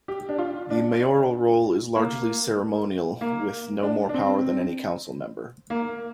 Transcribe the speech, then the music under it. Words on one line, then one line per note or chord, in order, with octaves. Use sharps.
The mayoral role is largely ceremonial with no more power than any council member.
G4
D4
F4
D4
A#3
A#3
D4
D4
C4
A#3